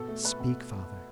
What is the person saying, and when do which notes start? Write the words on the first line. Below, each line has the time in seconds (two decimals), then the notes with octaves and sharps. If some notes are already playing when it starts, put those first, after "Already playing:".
Speak, Father.
Already playing: B2 A4
0.08 A3
0.24 A3 B4
0.40 B2